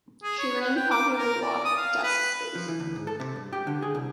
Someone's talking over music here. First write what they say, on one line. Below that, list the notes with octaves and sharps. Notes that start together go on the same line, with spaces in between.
She ran the popular blog, Desk Space.
G#4
C#5
F#5
G5
D6
A#4
D5
D#6
F5
B4
F3
E3
D2
G#2
A4
C3
G2
G4
D3
G#4
C2